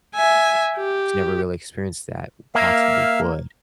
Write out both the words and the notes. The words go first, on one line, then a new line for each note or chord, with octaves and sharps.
has never really experienced that possibly would,
E5 G#5
G4
A#3 E5 F5